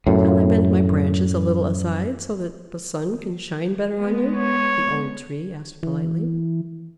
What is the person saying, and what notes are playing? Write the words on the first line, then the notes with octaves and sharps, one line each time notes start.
"Shall I bend my branches a little aside so that the sun can shine better on you?" the Old Tree asked politely.
F#2 A2
G#3 B3
C#5
E3